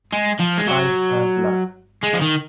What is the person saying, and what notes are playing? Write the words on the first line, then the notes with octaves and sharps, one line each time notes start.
Eyes are black.
G#3
F3
G#3
F#3
G#3
F3
D#3